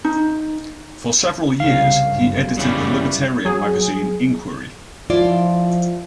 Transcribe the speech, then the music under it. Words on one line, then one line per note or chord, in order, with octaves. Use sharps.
For several years he edited the libertarian magazine "Inquiry".
D#4
C2 C#3 F5
G1 F#2
C#3 E3 G3
F#3 G#4
F3 E4 F4 D5